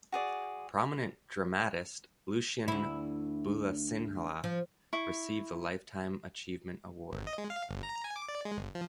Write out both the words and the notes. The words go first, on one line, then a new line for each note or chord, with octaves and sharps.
Prominent dramatist Lucien Bulathsinhala received the Lifetime Achievement Award.
F#4 G#4 D5
D2 E4
F3
E4 C#6
G#1
D#5
G#3
F5
G1
A#5
G#5
D6
D5
G#3
G1
F3